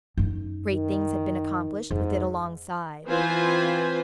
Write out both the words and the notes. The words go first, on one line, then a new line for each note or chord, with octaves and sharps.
Great things had been accomplished, with it alongside.
F#2 D#4
D#3
F2 G#2
E3 C4 F4 B4 C5 G#5